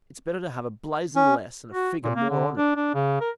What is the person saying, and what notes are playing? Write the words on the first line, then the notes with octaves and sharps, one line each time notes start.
It is better to have a blazon less and a figure more on it.
C#4
F#4
A#2
A#3
D3
D4
D4
C#3
A#4